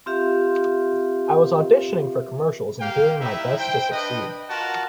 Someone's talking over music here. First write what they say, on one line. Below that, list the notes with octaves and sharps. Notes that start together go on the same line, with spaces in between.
I was auditioning for commercials and doing my best to succeed.
C4 F4 G4 E5 F5
A#3 G4 F5 G5
G3 D#4 E4 E5
C5 G5
D4 B4 D#5
F4 F#4 A#4 F#5 A5